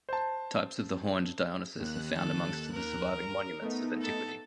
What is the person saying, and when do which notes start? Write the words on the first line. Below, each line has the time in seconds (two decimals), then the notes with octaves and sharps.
Types of the horned Dionysus are found amongst the surviving monuments of antiquity.
0.09 C5 A5
1.79 D#2 F#6
2.15 A4
2.72 A#4
3.61 A3 B3 D#4
4.01 A4